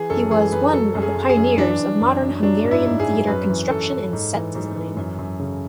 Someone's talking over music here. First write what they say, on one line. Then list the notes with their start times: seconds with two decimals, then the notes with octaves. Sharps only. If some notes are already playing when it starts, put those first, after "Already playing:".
He was one of the pioneers of modern Hungarian theater construction and set design.
Already playing: E3 G#4
0.10 F#2 A4
0.31 E3 G#4
0.52 F#2 B4
0.73 F#3 A4
0.95 F#2
1.02 G#4
1.16 F#2
1.29 G#4
1.37 F#2
1.58 E3 D4
1.80 F#2
2.01 F#2
2.22 F#2
2.43 F#3 D4
2.64 G#2
2.71 E4
2.85 G#2
3.00 G#4
3.07 F#3
3.27 F#2 B4
3.49 E3
3.70 F#2 A4
3.91 F#2
4.13 G#2
4.34 E3
4.55 G#2
4.77 E3
4.97 F#2
5.19 F#2
5.39 C#3